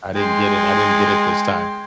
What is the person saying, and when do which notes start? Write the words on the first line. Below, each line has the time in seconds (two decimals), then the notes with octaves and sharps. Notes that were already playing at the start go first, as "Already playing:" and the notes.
I didn't get it I didn't get it this time.
0.15 G#3 G5 C6